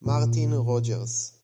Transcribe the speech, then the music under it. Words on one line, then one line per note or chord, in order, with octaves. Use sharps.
Martin Rogers.
A#2